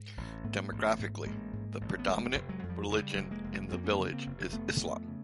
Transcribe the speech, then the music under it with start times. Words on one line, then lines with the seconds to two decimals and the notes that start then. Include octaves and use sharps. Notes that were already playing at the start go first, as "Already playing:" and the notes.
Demographically, the predominant religion in the village is Islam.
Already playing: G#2
0.17 A1
0.44 G#2 A3 B3
0.71 A1
0.99 G#2
1.26 A1 G#3 A#3
1.53 G#2
1.81 A1
1.99 B3
2.08 F1 G#3 A#3
2.35 F1
2.49 F#3 G#3
2.63 F2
2.69 F3 G3
2.90 C#3 G#3
3.02 G3
3.15 F1 F#3 G#3
3.31 G#3 A#3
3.44 F1
3.72 F2 A#3 C4
3.84 C#4
3.92 A#3 C4
3.99 C#3
4.06 C#4
4.12 A#3 C4
4.26 F1
4.53 F1 A3 B3
4.81 F2
5.08 C#3